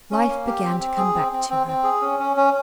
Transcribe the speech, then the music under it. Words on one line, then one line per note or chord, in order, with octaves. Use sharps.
Life began to come back to her.
C#4
A#3
G4
C4
C4
G#4
C4
C4
C4
C4
G#4
C#4
C#4
C#4